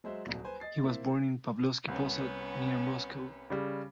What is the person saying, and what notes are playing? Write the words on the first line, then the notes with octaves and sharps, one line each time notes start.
He was born in Pavlovsky Posad near Moscow.
F#3 G#3 C5 E5
D#1 C2 F#3
B4 C5 G#5
D#5 A6 C7
A#3 C4 E4 C5 E5
C2 B3 C#4
C#3 G3